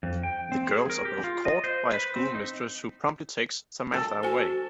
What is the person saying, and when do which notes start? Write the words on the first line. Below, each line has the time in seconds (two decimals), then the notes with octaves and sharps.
The girls are both caught by a school mistress, who promptly takes Samantha away.
0.03 F2
0.23 G5
0.52 C4
0.71 G#4
0.90 A#4
1.05 G4
1.24 F4
1.45 D#5
1.64 C5
1.94 B4
2.16 C4
2.35 D#4
3.94 A4
4.23 F#4 C5 G#5